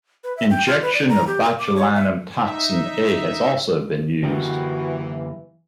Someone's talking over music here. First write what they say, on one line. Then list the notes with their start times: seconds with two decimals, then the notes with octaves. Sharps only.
Injection of botulinum toxin A has also been used.
0.24 B4
0.37 E5
0.50 G5
0.67 F4
0.82 B4
0.94 D5
1.09 A#5
1.27 G4
1.45 A#4
1.59 D6
1.76 C#5
1.95 E5
2.37 D#4 E5
4.23 F#2 D3 E3 A#3 F#4 G4